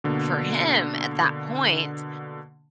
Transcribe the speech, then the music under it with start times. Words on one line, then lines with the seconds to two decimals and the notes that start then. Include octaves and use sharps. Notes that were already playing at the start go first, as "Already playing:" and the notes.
for him, at that point
0.04 B2 D3 A#3